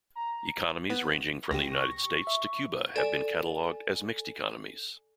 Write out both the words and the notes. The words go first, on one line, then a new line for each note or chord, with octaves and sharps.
Economies ranging from the United States to Cuba have been catalogued as mixed economies.
A#5
B3
C#2 G4 A#6
C#6
E5
A4 D5 G#5